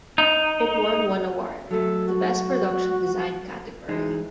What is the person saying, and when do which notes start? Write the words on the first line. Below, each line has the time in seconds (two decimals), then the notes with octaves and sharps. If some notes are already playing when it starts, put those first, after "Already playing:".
It won one award - the Best Production Design category.
0.18 D#4
1.71 F#3 A3 A4
2.07 F#4
3.89 E3 G#3 D#4